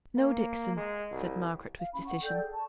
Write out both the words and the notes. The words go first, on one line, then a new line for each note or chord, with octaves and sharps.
'No, Dixon!' said Margaret with decision.
A#3
G#3
C2
F5
C#4 E4 B5
F#5 C#6
A4 D5 G5 G6
G#4
A5 C#6